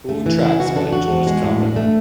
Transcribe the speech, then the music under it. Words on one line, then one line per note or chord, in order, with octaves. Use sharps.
All tracks by George Carlin.
A3
E3
C#3 E4
C#3 F#4
D4 A4
E2 F#4
E2
G#3
A2
D4
A3